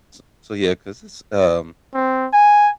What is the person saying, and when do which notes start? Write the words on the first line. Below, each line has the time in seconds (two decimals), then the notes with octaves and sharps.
s so yeah 'cause it's, um
1.94 C4
2.33 G#5